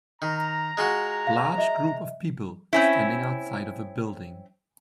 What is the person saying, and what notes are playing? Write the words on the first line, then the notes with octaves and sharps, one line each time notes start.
Large group of people standing outside of a building.
D#3 A#5
G#3 F4 F#4
F5
D#5 E5
C4 C#4 E4